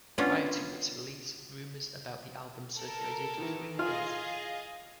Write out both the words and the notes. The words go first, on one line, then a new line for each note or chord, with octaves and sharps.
Prior to its release, rumors about the album circulated for three years.
B3 C#4 D4 F4
A4 A#4
D#3 E3
F4 G#4 D#5 F5 F6